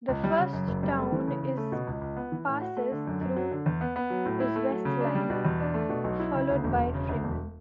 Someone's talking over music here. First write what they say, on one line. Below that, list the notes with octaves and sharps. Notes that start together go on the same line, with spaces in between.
The first town is passes through is West Line, followed by Freeman.
C#2
G3
C#3
F#2
F#1
G3
A3
E3
C#3
C#3
A3
B2
C#2
C#2
B3
E3
A2
F#4
A3
D3
F#2
F#2
F#3
D3
E2
B3
B3
F#3
A2
E4
A3
F#3
C#3
D4
G3
B2
E2
D4
A3
B2
B1
E4
C#3
D2
E1
E1
C#3
D2
E1